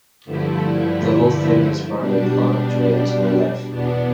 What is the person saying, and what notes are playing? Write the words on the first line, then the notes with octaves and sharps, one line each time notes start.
The whole thing has brought a lot of joy into my life.
G2 D3 F3 A3 E4
B2 G3 D4
E2 B2 B3 D4